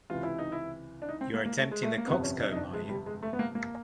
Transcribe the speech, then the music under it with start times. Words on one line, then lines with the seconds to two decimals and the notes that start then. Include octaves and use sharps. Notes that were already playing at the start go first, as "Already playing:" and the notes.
You are attempting the coxcomb, are you?
0.10 C#2 C3 E3 F4
0.24 E4
0.38 D#4
0.52 E4
1.02 D4
1.08 D#4
1.21 C4
1.34 A#3
1.46 A#3
1.58 A3
1.71 G#3
1.83 A3
1.98 A#3
2.07 G1 F2 C3 B3
2.24 C#4
2.41 D4
2.52 D#4
2.56 D4
2.73 G#3
2.89 G3
3.06 G#3
3.23 A3
3.33 B3
3.39 A#3
3.55 A#3